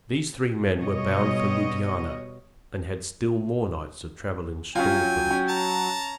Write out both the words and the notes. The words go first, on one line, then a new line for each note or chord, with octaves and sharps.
These three men were bound for Ludhiana and had still more nights of travel in store for them.
B2 G3 C#5 D#5
F#3 C#4 F4 G5 G#5
C#4
A5 A#5